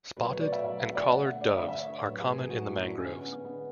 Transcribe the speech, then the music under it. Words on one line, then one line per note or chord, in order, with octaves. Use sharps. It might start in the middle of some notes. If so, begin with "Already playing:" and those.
Spotted and collared doves are common in the mangroves.
B2 F#3 A3 B4
C#5
D5
E5
B2 F#3 A3 E5
E5
D5
D3 A3 F#5
E5
D5
D3 A3 E5
E5
C#5
C#5
A2 F#3 A3 B4
G#4
G#4
A2 F#3 A3 F#4
E4
D4
D3 G#3 C#4
B3
C#4
B3
D3 G#3 B3